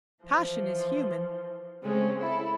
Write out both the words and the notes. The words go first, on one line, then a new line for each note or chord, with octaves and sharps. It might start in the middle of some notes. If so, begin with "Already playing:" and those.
Passion is human.
E3 F3
C#3 G#3 A3 C4 C#4
E4 A4